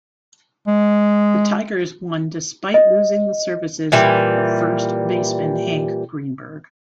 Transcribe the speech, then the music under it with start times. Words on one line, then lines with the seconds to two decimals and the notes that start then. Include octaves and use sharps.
The Tigers won despite losing the services of first baseman Hank Greenberg.
0.67 G#3
2.74 D#5
3.92 A#2 E3 G3